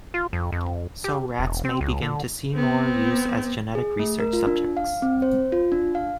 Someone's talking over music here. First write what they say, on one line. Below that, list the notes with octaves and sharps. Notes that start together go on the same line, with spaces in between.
So rats may begin to see more use as genetic research subjects.
F4
F2
F2
G4
E1
C4
C#2
D3
B3 C4
G#4
A3
A#4
F4
D4
F5
C4
C5
F4
D4
F5